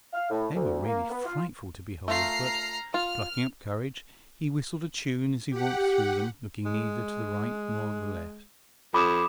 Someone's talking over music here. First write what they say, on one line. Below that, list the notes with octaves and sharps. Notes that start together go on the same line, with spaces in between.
They were really frightful to behold, but, plucking up courage, he whistled a tune as he walked through them, looking neither to the right nor the left.
F5
A2
D2
A#3
B3
F4
A3 F4 A#5 F6 C7
F4 F6
G4 F#5
G#3
F2 B5 D6 D#6 E7